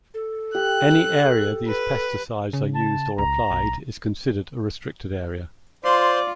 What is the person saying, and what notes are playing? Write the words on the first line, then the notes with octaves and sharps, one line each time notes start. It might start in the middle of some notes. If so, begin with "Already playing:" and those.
Any area these pesticides are used or applied is considered a restricted area.
A4
G4 F#6
B4
C#3
A5
C#2 A#5
B1
F4 C5 D5 C6